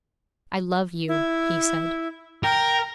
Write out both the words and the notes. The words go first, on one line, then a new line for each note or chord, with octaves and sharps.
'I love you,' he said.
E4
A#4 G5